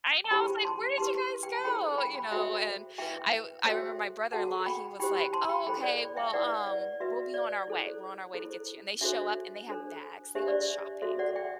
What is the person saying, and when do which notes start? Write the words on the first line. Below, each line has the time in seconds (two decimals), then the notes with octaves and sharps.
I know! I was like, "Where did you guys go?" You know? And I I remember my brother-in-law, he was like, "Oh, okay. Well, um, we'll be on our way. We're on our way to get you." And they show up, and they have bags. They went shopping.
0.24 A5
0.30 E4 G4 C5 G5 B5
0.65 A5 C6
0.97 E4 G4 B4 A5 C6
1.43 G5
1.54 A5
1.65 E4 A4 C5 G5 B5
1.98 G5 B5
2.15 G5 B5
2.32 F#4 A4 C5 E5 G5
2.98 E4 B4 E5 G5
3.65 F#4 A4 C5 E5 G5
4.32 F#4 A4 C5 F#5 A5
4.66 G5 B5
5.00 E4 G4 C5 G5 B5
5.16 G5 B5
5.33 A5 C6
5.49 G5 B5
5.67 E4 A4 C5 G5 B5
5.83 D5
6.17 E5 G5
6.33 E4 B4 D5 F#5
6.67 D5
7.00 F#4 B4 E5
7.34 D5
7.68 E4 A4 C5
8.34 E4 A4 C5
9.01 D4 F#4 A4 C5 E5
9.68 D4 A4 C5
10.35 D4 G4 C5 E5
10.48 D5
10.61 E5
11.02 F#4 A4 C5 E5
11.19 D5 F#5
11.36 E5 G5